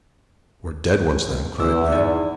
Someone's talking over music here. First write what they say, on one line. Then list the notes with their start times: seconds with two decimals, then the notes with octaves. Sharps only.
"We're dead ones, then!" cried Ned.
1.58 E2 D6 E6
1.92 D#4 D5